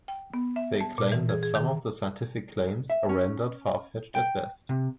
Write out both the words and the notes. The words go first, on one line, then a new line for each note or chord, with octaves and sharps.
They claim that some of the scientific claims are rendered far-fetched at best.
G5
B3
E5
A5
A#2
E3
G#4
G#4
D#3
E5
C#4
G5
C3